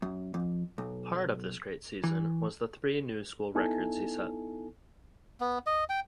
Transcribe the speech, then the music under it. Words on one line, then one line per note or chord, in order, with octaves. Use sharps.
Part of this great season was the three new school records he set.
F#2
F2
B1
E3
B3 D#4 E4 A4 G#5
B3
D#5
G5